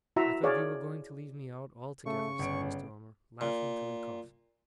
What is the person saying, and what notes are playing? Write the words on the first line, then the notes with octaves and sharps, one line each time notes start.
I thought you were going to leave me out altogether,' said Mr. Omer, laughing till he coughed.
E4 F#4 E5 A#5 C6
G#4 C#5 D5 F5
C#3 A3 C#6
G1 C#4 D7
A#2